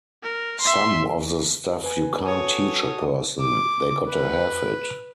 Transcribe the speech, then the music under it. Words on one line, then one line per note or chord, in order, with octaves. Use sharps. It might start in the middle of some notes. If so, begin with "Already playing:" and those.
Some of the stuff you can't teach a person; they gotta have it.
A#4
E5 C6
B4 G#5
F#4 A4 C#5 D#6
D6
B4